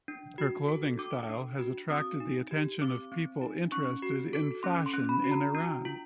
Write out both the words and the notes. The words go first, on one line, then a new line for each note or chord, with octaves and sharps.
Her clothing style has attracted the attention of people interested in fashion in Iran.
D4
F#4
A4
D4 D6
D4
F#4
C4 D#6
D#4
G4
C4 D6
C4
D#4
C#4 C#6
F#4
A4
C#4 C6
C6
C#4
B5
F#4
A#5
D4
F4